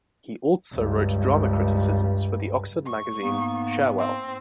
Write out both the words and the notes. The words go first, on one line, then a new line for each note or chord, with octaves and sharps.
He also wrote drama criticisms for the Oxford magazine "Cherwell".
C#2 G2
C#6
G#2 A#3 B3
C4